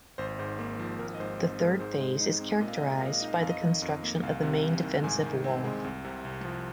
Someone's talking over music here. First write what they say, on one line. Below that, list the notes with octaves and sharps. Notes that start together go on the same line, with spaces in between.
The third phase is characterized by the construction of the main defensive wall.
G#1 C5
G#2 C5
A#3 C5
F3 C5
G#1 A#4
D#5
G#2 C5
C4 C5
G#3 A#4
G#2 C5
G#3
D#4
C4
A#2 D#5
F5
D#5
G#3 F5
D#5
F5
A#2 D#5
F5
D#4 D#5
F5
D#5
F2 F5
D#5
D#3
F2
A#3
C2 F5
C3
C2
D#3
G#2 G#5
D#3
C4
G#3
C2
C3
C2
F3